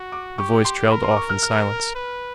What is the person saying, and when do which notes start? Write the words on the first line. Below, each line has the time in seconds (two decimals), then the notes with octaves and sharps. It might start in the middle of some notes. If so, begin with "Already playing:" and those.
The voice trailed off in silence.
Already playing: F#4
0.12 D6
0.38 G4 C#6
0.64 C6
0.91 A#4 B5
1.03 C6
1.11 D6
1.16 C#6
1.29 F6
1.43 F6
1.95 B4